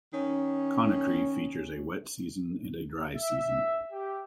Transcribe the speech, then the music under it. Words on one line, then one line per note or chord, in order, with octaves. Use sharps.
Conakry features a wet season and a dry season.
D#3 C#4
E5
G4